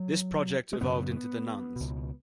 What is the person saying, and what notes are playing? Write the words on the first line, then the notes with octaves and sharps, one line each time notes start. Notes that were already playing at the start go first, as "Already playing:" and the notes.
This project evolved into The Nuns.
Already playing: F#3
G#3
F#2 C#3 B3
C#2 B2